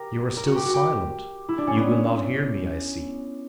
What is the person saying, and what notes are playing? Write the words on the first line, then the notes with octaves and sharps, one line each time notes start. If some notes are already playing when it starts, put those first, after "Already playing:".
You are still silent? You will not hear me, I see....
Already playing: G4 A#4
A#4
F#4
G4
F#4
G4
E4
D4
C#4
B3